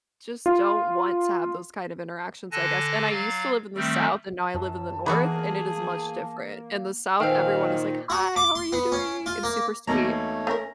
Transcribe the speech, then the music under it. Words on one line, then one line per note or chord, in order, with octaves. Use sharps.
just don't want to have those kind of interactions, I guess, and I used to live in the South, and now I live in the North, and it is much different. In the South, everyone is like, "Hi, how are you doing?" and super sweet,
F4
D3 A4 G#5 A5 F#6 A#6
F#3 F5 A6
D#3 G3 A3 C4
F#2 A5
E3 A#3 B3 F#4 G#4
A#2 D#3 B4 C5 F5 G5 G#5 E6
F#4
D6
C6
B3
C#4
F4
A#3
E2 B2 A3 A#3 D#4 C#5 A#5
A3 C#4 A#4 A#5